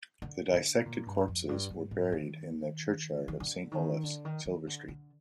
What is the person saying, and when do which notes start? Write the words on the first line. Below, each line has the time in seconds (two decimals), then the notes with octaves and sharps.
The dissected corpses were buried in the churchyard of St Olave's, Silver Street.
0.22 D3
0.54 D3
0.86 A#2
1.06 G2
1.28 F2
1.49 G2
1.70 G2
1.91 G#2
2.12 D#3
3.28 D#3
3.40 D3
3.72 D#3
4.03 D3
4.25 D#3
4.46 D#3
4.67 D3
4.88 D3